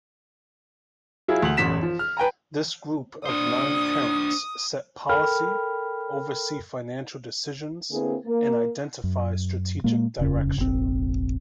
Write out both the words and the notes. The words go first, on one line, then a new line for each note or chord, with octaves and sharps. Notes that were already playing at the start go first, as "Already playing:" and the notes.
This group of nine parents set policy, oversee financial decisions and identify strategic direction.
F#3 E4 F4 G#4
D2 F#7
E1 A1 F#2 B6 E7
F3
F6
B4 G5 G#5 A#5
D4 C5 D#6
A4 A#4 G5 B5 F6
D3 A#3 C4 E4 G#4 B4
A#3
F#2
A#2 G#3 A#3
D#1 F2 C#3 C#4
F1 A#1 A2 C4